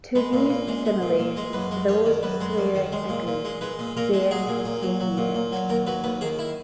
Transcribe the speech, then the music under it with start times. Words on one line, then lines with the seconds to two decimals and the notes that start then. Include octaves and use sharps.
To these similes, those swearing agree, saying so be it.
0.15 G#3 B4
0.33 A#2
0.50 A#2
0.67 G#3
0.85 G#3
1.02 A#2
1.20 A#2
1.36 G#3
1.53 F#2 B4
1.71 G#3
1.88 F#2 C#5
2.06 D#3
2.23 F#2 B4
2.41 G#3
2.58 F#2
2.75 D#3
2.92 G#3
3.09 A#2
3.27 A#2
3.45 G#3
3.61 G#3 B4
3.79 A#2
3.97 A#2 A#4
4.13 G#3
4.31 F#3 G#4
4.48 A#2
4.65 A#2
4.82 F#3
5.00 F#3
5.17 A#2
5.34 A#2
5.52 F#3
5.69 D#2 A#4
5.87 F#3 B4
6.04 D#2 B4
6.21 D#3 G#4
6.39 E4